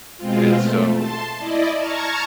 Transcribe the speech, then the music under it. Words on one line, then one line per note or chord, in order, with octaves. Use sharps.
And so
B2 G#3 C4 F4
A3
A5 C6
E4 D5 D#5
A5 A#5 C#6 F6 G#6